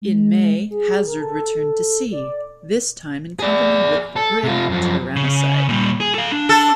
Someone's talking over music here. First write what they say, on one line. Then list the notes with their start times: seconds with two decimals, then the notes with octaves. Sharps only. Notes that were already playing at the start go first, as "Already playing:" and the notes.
In May, "Hazard" returned to sea, this time in company with the brig "Tyrannicide".
0.02 G#3
0.71 G#4
1.07 A#4
1.20 A4
2.12 D5
3.39 G#4 D5
4.16 A4
4.44 C3 F4
4.70 F#2 F3
5.16 C#3
5.69 A#2 G3
6.00 G#4
6.15 A4 F5
6.32 D4
6.49 A4